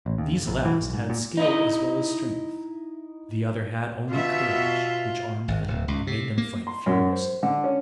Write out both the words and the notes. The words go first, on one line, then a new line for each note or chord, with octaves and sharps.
These last had skill as well as strength; the other had only courage, which armed them, and made them fight furiously.
A1
D#2
F#1
A#1
E3
B1
G#2
A#2
D#4 E4 D#5
B2 F4 E5
G#1
D1
C#2
C3
A#3
C6
F#2
C5
D3
C#4